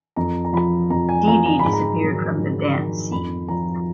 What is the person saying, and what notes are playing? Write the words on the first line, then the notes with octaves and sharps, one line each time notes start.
Dee Dee disappeared from the dance scene.
F2 A#5
A#5
F3 B5
F2 A#5
G#5
F3 A#5
A#5
G#2 B5
A#5
D#3 F#3
G#2
D#3 F#3
F2 B5
F3 A#5